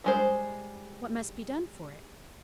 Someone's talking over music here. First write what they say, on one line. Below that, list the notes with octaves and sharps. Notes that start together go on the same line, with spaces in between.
"What must be done for it?"
G3 G#3 C5